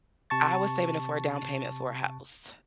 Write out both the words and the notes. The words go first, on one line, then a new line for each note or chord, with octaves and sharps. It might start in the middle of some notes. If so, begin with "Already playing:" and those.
I was saving it for a down payment for a house.
C3 A5 C#6 A6